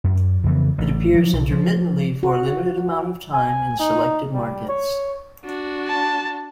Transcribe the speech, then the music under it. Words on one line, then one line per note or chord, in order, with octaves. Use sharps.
It appears intermittently for a limited amount of time in selected markets.
F#2
F2 C#3 E3 B3
A1
F3 F#3
B1
F3
F#4
G#5
D#4
G3
C#5
D4 F#4
A5